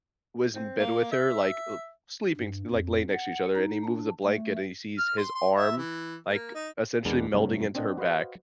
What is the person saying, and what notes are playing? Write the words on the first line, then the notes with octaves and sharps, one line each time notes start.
was in bed with her, like, uh, sleeping s like, laying next to each other, and he moves a blanket and he sees his arm, like, essentially melding into her back.
C4
A#3
E5
G2
F2
F#5
D#4
D4
A3
F6
C6
C6
E5
E3
A#3
D#4
E2 G#3 D4 A#4 B4 F#5
G2 C3 F#3 A3
C4 D4 D5 D#5 F#5
F#4 B4 C5 D#5 F5